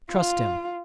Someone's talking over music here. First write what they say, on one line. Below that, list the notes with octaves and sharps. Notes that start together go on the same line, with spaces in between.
Trust him.
F4